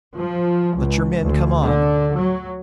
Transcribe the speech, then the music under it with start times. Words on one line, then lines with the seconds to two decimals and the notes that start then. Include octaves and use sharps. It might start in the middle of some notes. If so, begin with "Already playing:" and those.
Let your men come on.
0.16 F3
0.77 C#2
1.21 D2
1.63 D3
2.16 F#3